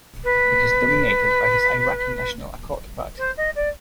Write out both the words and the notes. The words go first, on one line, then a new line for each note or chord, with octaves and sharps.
It is dominated by his Iraqi National Accord party.
B4
C5
D#5
D5